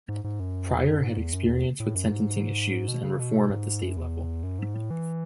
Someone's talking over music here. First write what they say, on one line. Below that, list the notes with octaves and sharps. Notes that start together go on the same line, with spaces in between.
Pryor had experience with sentencing issues and reform at the state level.
G#2
G#2
F#2
E2
F#2
G#2
E2
F#2
E2
A2
F#2
G#2
B2
C#3
B2
G#2
F#2
E2
F#2
G#2
A2
E3